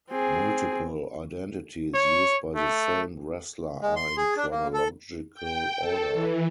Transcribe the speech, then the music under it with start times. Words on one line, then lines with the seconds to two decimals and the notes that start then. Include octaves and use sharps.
Multiple identities used by the same wrestler are in chronological order.
0.11 C4 G#4
1.94 C#5
2.56 A3
3.80 G#3
3.96 C6
4.17 G#4
4.37 D4
4.52 A#3
4.74 A4
5.34 G5
5.80 A4
6.14 E3